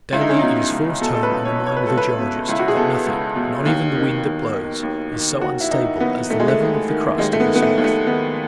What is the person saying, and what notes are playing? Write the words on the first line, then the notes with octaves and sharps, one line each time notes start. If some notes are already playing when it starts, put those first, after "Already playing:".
Daily it is forced home on the mind of the geologist, that nothing, not even the wind that blows, is so unstable as the level of the crust of this earth.
C#2 E4
D#4
C#4
B2 D#4
C#2
B2 A4
A4
B4
C#2
C#5
B2
C#5
B4
C#2 A4
B4
B2
C#2 E4
F#4
G#4
B2 A4
C#2
B2
D#2
D#3
D#2
D#3
D#2
D#3
D#2 F#4
E4
D#3 D#4
D#2 B3
D#3 A3
G#3
A3
D#2
D#3
D#2 G#3
A3
B3
D#3
B3
A3
D#2
A3
D#3 B3